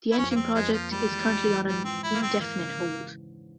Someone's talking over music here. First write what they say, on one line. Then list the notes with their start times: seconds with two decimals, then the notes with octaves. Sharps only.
The engine project is currently on an indefinite hold.
0.12 E4
0.18 F2 C#4
0.31 A#3
0.36 F2 C4
0.55 F2 G#3
0.73 F3 A#3
0.91 G3 G#3
1.11 E3
1.29 G#3
1.47 E3
1.66 G#2 G3
1.84 F3 C4
2.03 F3 E4
2.14 A#3
2.22 G#2 C4
2.40 E3 A#3
2.59 C#3
2.77 E3